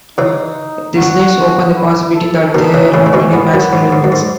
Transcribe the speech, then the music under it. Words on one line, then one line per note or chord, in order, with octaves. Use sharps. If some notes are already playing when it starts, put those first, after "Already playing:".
This leaves open the possibility that there are many maximal elements.
C#3 E3 D#4
F#4
E4
A4
B2 D#3 D#4
C#3 E3
A2 C#3 C#4
C#3
G#2 B2
G#2 B3
F#2
G#2
G#2
F#2
G#2